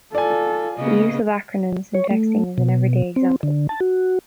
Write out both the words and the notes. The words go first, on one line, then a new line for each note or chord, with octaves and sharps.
The use of acronyms in texting is an everyday example.
F4 A4 D5 G#5
C#3 A#3 B3 D#5
C#5
A3
B2
C4
D3
A5
F#4